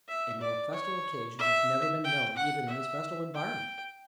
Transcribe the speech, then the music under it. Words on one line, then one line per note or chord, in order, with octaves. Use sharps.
A more festal occasion has never been known even in this festal environment.
E5
D5
C#5
E5
G5
F#5
E5
G5